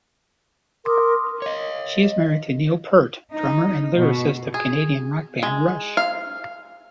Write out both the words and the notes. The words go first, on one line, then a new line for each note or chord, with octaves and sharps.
She is married to Neil Peart, drummer and lyricist of Canadian rock band Rush.
A#4 C6 D6 D#6
C#5 D#5
D#4
B2
G#4
G#3
F5